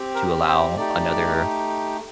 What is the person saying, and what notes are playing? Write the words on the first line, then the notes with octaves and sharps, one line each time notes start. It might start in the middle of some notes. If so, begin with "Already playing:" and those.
to allow another,
Already playing: C4 G4
A#4
C5
A3 D#4 G4 D5